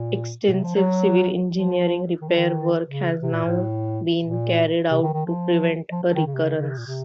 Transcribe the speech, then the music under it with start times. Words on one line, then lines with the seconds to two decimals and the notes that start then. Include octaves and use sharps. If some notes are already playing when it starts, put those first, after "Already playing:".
Extensive civil engineering repair work has now been carried out to prevent a recurrence.
Already playing: A#2
0.48 A#2
0.52 C3
0.63 F3
0.75 F#3
1.54 F3
2.21 D#3
2.28 F3
2.36 D#3
2.88 C#3
3.22 C3
3.33 A#2
3.45 A2
4.23 A#2
4.91 C3
5.02 D#3
5.13 D#3
5.25 F3
5.92 F3
6.03 F3
6.15 D#3
6.26 C#3
6.34 C3
6.42 C#3
6.59 C#3
6.69 C3
6.78 A#2
6.87 C3